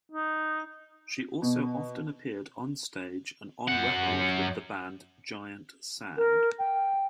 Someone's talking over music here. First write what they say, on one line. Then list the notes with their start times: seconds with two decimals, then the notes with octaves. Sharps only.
She also often appeared onstage and on record with the band Giant Sand.
0.12 D#4
1.42 B2
3.68 F#2 F#5
6.17 A#4
6.59 G5